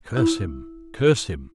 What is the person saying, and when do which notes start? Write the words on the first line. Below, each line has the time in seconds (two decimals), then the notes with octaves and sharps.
Curse him! Curse him!
0.17 E4